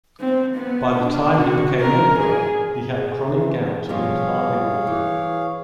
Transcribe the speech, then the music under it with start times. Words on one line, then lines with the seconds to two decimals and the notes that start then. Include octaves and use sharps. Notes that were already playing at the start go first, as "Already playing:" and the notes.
By the time he became emperor, he had chronic gout and could hardly walk.
0.20 C4
0.55 B3
1.01 D4
1.39 F#4
1.81 A#4
2.19 G#4
2.98 G#4
3.11 G#4
3.36 E3
3.89 G2 B2 F3 G#4 C#5 F5
4.87 E3